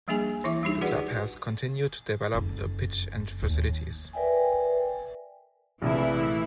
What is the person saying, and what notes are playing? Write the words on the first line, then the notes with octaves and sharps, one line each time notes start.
The Club has continued to develop the pitch and facilities.
F3 G3 A#3 D4 G#4 G#5
E3 E4 E5 D6
G3 D4 D#4 G4
F#4 G#4 B4 D5 F#5
F#1 F2
D#2
A#4 B4 D5 E5 G5 G#5
A#1 C3 E3 A3 E4